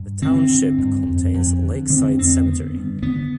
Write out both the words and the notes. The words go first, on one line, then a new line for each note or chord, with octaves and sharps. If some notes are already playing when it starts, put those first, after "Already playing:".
The township contains Lakeside Cemetery.
Already playing: G2
D3 C4
D3
G2
F2
F2
D3
D3 C4
F2 C4
D3 B3
G2
D3 B3